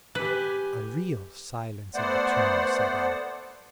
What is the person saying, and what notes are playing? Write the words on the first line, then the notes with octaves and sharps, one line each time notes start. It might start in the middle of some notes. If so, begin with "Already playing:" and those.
A real silence of the tomb set in.
G4 B4 G#5
A3 B3 C5 D5 F#5